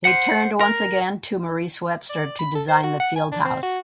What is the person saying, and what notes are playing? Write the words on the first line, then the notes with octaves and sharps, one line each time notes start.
They turned once again to Maurice Webster to design the field house.
C5 F#5
A#4
D5
B5
A4
C5
F#4
F#5
G#5
D4
C4
F#4